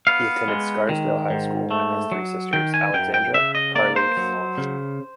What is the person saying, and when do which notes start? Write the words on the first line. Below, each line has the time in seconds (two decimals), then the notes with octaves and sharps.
He attended Scarsdale High School and has three sisters: Alexandra, Carly, and Lauren.
0.07 B3 F5
0.48 G#3
0.89 D#3
1.30 G#2
1.71 A3
2.12 F#3
2.53 D#3 G5
2.74 G#5
2.94 F#2 G5
3.14 G5
3.34 C#3 E5
3.55 D#5
3.75 A#3 D5
3.96 C5
4.17 F#3
4.58 C#3